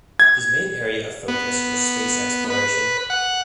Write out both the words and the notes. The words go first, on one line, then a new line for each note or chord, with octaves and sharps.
His main area of focus was space exploration.
G#6
B3
B4
F#5